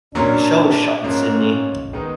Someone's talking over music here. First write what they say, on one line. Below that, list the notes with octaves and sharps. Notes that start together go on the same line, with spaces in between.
The show was shot in Sydney.
A#2 F#3 A#3 C#4 D4
G#2 F3 A#3 C#4
D#3 G#3 B3 D#4